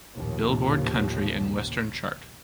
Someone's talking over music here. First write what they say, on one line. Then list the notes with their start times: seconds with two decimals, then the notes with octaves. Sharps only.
Billboard country and western chart.
0.15 A#1 D#2 A2 C#3 F3